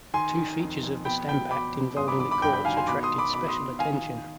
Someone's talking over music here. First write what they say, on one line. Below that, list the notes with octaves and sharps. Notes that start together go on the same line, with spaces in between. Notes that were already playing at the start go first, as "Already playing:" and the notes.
Two features of the Stamp Act involving the courts attracted special attention.
D#3 G#5 C6
D#3
F2
F2
B2 G5 B5
B2 G5 B5
B2 B5 D6
B2
G2 C6 D#6
B5 D6
D#3 B5 D6
B5 D6
G2 G5 B5
G5 B5
D#3 F5 G#5
G#5 C6
B2 B5 D6
C6 D#6
B2
B5 D6
B2 B5 D6
C6 D#6
B2
D#3 F5 G#5
D#3